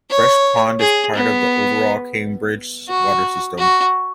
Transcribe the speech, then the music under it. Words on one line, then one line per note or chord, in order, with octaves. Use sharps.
Fresh Pond is part of the overall Cambridge water system.
C#5
G#4
B3
F#4
F#4